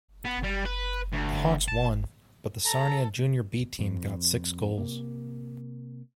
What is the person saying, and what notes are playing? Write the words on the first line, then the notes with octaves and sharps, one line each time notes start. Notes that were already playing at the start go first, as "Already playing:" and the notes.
The Hawks won, but the Sarnia Junior 'B' team got six goals.
B3
G3
B4
D2
A5
A4 A#5
F2
C3 A#3